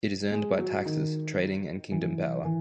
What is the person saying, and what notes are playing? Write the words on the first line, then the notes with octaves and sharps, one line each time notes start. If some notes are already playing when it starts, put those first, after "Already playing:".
It is earned by taxes, trading and kingdom power.
G#3
F#3
D#3
E3
E3